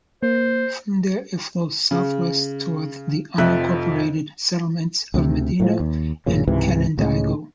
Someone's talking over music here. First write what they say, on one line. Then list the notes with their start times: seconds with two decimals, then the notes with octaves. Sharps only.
From there it flows southwest toward the unincorporated settlements of Medina and Canandaigua.
0.23 A#3 C5
1.91 C#3
3.38 F1 F2 F3 E5 F#6
5.14 D2 C3
5.60 A2 E3 F3
5.80 D#2
6.26 A1 F#2 A#2 C#3
6.48 C#2 G#2 C3 E3
6.98 C#2 A2 C#3 G#3